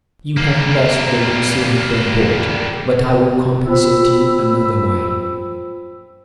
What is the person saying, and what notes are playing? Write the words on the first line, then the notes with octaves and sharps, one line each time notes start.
You have lost the goods you had on board, but I will compensate you another way.
G3 A#3
F4 C5 G5 B5 E6